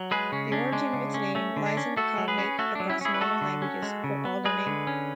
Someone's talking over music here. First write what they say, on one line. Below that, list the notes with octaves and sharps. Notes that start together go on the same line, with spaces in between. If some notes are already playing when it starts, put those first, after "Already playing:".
The origin of its name lies in the cognate across Norman languages for Alderney.
Already playing: F#3
G#3 G#4 B4
C#3 C#4
C#4 D4
G#3 D4
C#3
C#4
A3 C#4
D3
D4
C#4
A3 F#4 A4
F#3
G#4 B4
C#4
A3 F#4 A4
F#3 D4
C#4 E4
C#4 E4 G#4
B4
A3 F#4 A4
D3
C#4
G#3
C#3
B3
G#3 G#4 B4
D3
C#4